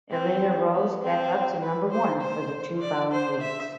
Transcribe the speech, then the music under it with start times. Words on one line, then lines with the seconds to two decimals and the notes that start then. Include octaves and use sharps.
It later rose back up to number one for the two following weeks.
0.12 C4
0.72 B3
1.02 C4
1.61 B4
1.91 C5
2.21 C5
2.81 D5
3.12 C5
3.41 E5